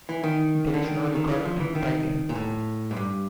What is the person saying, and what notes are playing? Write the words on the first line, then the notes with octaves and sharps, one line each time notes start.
There is no record of him fighting.
E3
D#3
D3
D#3
D#3
E3
F3
E3
D#3
A#2
A2
G#2
G2